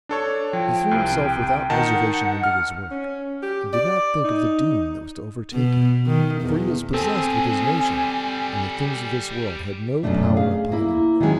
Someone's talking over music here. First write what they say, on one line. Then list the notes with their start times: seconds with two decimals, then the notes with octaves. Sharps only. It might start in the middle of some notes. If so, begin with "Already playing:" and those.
He threw himself without reservation into his work, and did not think of the doom that was to overtake him, for he was possessed with his notion, and the things of this world had no power upon him.
0.09 D4 A4 C#5
0.53 F3 G5
0.91 C2 C3
1.70 D#3 D#4 F#5 A5
2.44 F6
2.91 C#4
3.42 G4
3.73 D5
4.24 D#4
5.53 B2
6.06 D#3
6.41 E2
6.94 G3 C4 G#4 A4 G#5
10.03 F#2 B2 E3 F3 A3 D4
10.37 G#4 F5
10.72 A#3 E4
11.20 D#3 E3 F#3 G#3 C#4